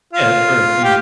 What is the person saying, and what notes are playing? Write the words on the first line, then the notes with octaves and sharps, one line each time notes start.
Yeah, it's very cute.
F4
G4